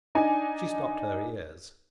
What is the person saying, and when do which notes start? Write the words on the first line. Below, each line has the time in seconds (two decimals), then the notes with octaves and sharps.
She stopped her ears.
0.15 D4 D#4 G#5